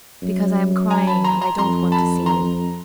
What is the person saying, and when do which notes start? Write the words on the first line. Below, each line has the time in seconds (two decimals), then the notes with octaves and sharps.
"Because I am crying, and I don't want to see you."
0.22 F#2
0.90 G#5 A#5
1.07 A5 B5
1.24 A#5 C6
1.41 A#5 C6
1.58 F2 A#5 C6
1.92 A5 B5
2.26 A#5 C6